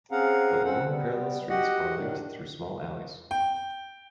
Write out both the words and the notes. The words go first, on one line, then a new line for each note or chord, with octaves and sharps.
The long parallel streets are linked through small alleys.
C4 C#4 G#4 F5 F#5 A#5
C4 C#4 A4 C5 F#5
G3 B3
F#4 G4 D#5 F#5
A2 D#3 D4
G5